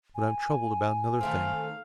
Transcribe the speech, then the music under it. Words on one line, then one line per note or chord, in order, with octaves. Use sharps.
But I am troubled about another thing.
G#5
D#3 A3 C4 F5